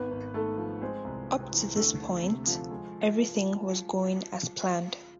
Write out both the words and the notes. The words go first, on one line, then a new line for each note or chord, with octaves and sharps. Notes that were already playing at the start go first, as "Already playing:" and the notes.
Up to this point, everything was going as planned.
Already playing: G#1 B3 B4
G#1
G#2 A3 A4
F3
G#3 C4 C5
C2
C3
E3
D2 A3 A4
D2
C3
F3
G#3